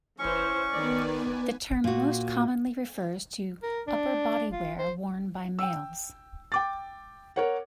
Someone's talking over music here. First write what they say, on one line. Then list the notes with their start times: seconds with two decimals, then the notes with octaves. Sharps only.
The term most commonly refers to upper-body wear worn by males.
0.19 E3 C#4 E4 C5 C#6
0.72 D#3 B3 B4 D5 G#5
1.84 A#2 F#4
3.63 A#4
3.87 D4
4.53 F4
4.78 C5
5.59 G5 E6
6.52 G5 D6 A6
7.36 A#4 C#5 F#5